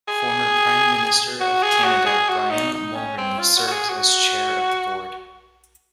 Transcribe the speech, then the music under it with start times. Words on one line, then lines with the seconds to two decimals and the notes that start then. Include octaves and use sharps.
Former Prime Minister of Canada Brian Mulroney serves as chair of the board.
0.08 G#4
1.40 F#4
1.63 G#4
1.85 F#4
2.06 G#4
2.29 F#4
2.50 D#4
2.74 D#4
2.95 C#4
3.18 C4
3.39 F4
3.57 F#4
3.67 F#4
3.72 G#4
3.90 F#4